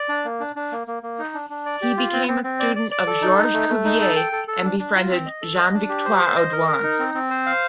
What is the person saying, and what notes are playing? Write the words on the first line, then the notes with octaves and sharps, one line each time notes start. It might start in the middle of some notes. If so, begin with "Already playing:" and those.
He became a student of Georges Cuvier and befriended Jean Victoire Audouin.
Already playing: D5
D4
A#3
D4
D4
A#3
A#3
A#3
D#4
D4
D4
D5
G4
F4
C4
C4
C4
D5
D5
D5
A4
D#4
D#4
A3
A3
D#4
A4
G5
A4
A4
D4
D4
F4
C4
D#5
A4
D#5
D4
G4
C5
C5
D#5
A#4
A#4
D#4
C4
C4
C5
F5